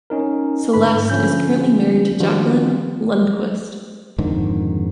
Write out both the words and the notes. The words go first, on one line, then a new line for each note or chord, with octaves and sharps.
Celeste is currently married to Jacqueline Lundquist.
C#4 D#4 A#4
G#2 D3 B4 B5
D3 F3 C#4 G6
D#3 F3 G3 D4 F4 F#4
F2 G#2 D3 D#3